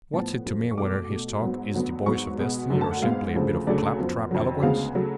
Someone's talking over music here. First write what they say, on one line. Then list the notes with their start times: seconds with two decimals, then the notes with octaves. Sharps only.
What's it to me whether his talk is the voice of destiny or simply a bit of clap-trap eloquence?
0.13 A2 F3 B3 A5
0.46 F#2 F3 A3
0.71 C#6
0.78 B2 A3 D6
1.10 B2 A3
1.42 G#2 F#3 B3
1.74 D2 D3 F#3 B3
2.06 G#2 F#3 B3 C#6
2.38 B2 G#3 B3
2.70 F#2 D3 F#3 A3
2.81 A5
2.91 F#5
3.02 G#2 G#3 B3 F5
3.35 D2 C#3 F3 A3
3.67 D2 C#3 F#3 A3 D5
3.98 F#2 F3 B3
4.31 F2 D3 F#3
4.63 D2 C#3 G#3 B3 F5
4.95 C#3 F#3 A3